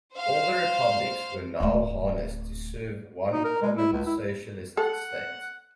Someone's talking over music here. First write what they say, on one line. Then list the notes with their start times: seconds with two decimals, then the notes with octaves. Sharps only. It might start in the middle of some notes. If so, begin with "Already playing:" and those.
All the Republics were now harnessed to serve one common socialist state.
0.14 C5 F5
1.60 D1 A3
3.32 D#4
3.44 A#4
3.62 G#3
3.76 E4
3.92 C#2
4.06 E4
4.77 A4 F#5